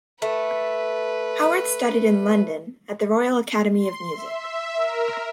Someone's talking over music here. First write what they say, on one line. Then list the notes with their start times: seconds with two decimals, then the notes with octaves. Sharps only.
Howard studied in London, at the Royal Academy of Music.
0.22 A3 B4
3.72 C6
4.12 E5
4.76 A#4